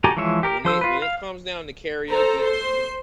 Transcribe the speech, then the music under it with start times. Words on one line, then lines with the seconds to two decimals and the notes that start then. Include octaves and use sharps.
when it when it comes down to karaoke
0.04 F#4 G4 A4 G#5 A#5
0.17 E3 F3 G#3 C#5 E5
0.43 G4 A#4
0.65 F3 C5 E6
0.81 F4 B4
1.02 F5
2.09 A4 C5 A#5
2.44 C5 C6